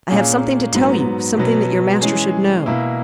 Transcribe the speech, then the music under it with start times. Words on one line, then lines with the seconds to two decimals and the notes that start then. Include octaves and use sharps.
"I have something to tell you--something that your master should know."
0.10 A#2 A#3 C#4 G#4
0.74 G#2 F#3 B3
1.37 B2 F#3 B3
2.01 E3 G#3 C#4 G#4
2.66 B2 A#3 E4